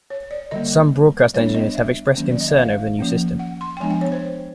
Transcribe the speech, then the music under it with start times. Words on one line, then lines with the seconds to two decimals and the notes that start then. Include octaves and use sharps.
Some broadcast engineers have expressed concern over the new system.
0.10 C#5
0.31 D5
0.51 D3 G3 A#3 D#5
1.34 G3 B3 D4 C#5
1.55 D#5
1.75 E5
2.16 D#3 F#3 A#3 C#4
2.31 D5
2.41 D#5
2.48 E5
2.58 F5
2.99 F3 A#3 C#4
3.39 F#5
3.61 C6
3.77 G5
3.80 F3 G#3 B3 D4 G#5
3.91 G5
4.01 C#5
4.12 C5